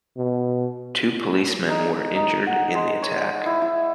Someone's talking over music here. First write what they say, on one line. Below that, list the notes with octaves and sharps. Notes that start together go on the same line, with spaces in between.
Two policemen were injured in the attack.
B2
D#4
D#4
F#5
G#3
C#5
E4
E4